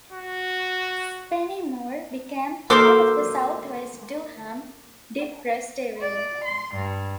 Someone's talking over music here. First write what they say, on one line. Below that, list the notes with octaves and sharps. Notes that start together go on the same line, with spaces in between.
Spennymoor became part of the South West Durham depressed area.
F#4
A#3 F#4 A4 A#4 C5 D6 E6
D5
C6
G2